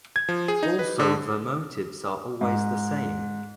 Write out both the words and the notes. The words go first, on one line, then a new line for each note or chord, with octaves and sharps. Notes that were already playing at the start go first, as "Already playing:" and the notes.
Also the motives are always the same.
G#6
F3
G#4
D#4
B4
D3
G#2